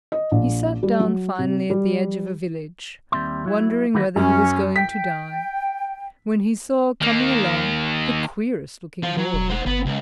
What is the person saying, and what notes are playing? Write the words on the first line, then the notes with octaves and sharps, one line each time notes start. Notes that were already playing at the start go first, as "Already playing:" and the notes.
He sat down finally at the edge of a village, wondering whether he was going to die, when he saw coming along the queerest-looking boy.
D#5
A#1
G3
F#3
C3
G3
D#2 G3 C4 E5 C6
F#3 E4
D#3 E3 A3 A#3 F#4 B4
F#2 C#4
G5 B6
D#3 A#3
F4 C5
F#3
E1
C5 F#5
G1 B3
C#2